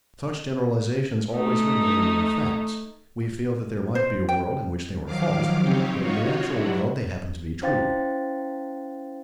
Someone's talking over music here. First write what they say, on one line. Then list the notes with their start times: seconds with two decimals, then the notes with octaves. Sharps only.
Such generalizations always remain mere facts: we feel that there might be a world in which they were false, though in the actual world they happen to be true.
1.34 A3 D#4
3.95 C5
4.29 G5
5.05 D#3 F3 F#3 F5 D6
5.62 C#3 C4 D#4 G4 C#5
5.97 D#4 F4 F#4 C#5
6.49 F#3 D4 E4 F#4
7.62 C#4 E4 C5 F5 G5 A6